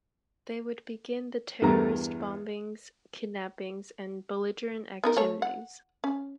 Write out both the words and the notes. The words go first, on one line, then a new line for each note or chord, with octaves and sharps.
They would begin the terrorist bombings, kidnappings and belligerent activities.
E2 G2 E3 A#4 A#5
B3 D#4 A#4
A3 C#5
F#5
C#4